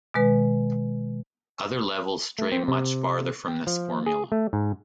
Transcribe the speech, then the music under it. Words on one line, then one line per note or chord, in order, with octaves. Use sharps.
Other levels stray much farther from this formula.
B2 D#3 G#3 B4
A3
C4
C3
G5
F3
G#4
A3
G#2